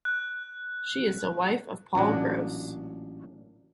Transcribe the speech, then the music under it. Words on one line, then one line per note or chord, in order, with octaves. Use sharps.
She is the wife of Paul Gross.
F#6
A1 A#2 F#3 D4